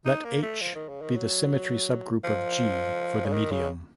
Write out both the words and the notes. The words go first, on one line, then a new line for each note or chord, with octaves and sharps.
Let "H" be the symmetry subgroup of "G" for the medium.
D#4
A#3
A3
F3
D#3
C#3
D#3
F#3
F3
C#3
D#3
C#3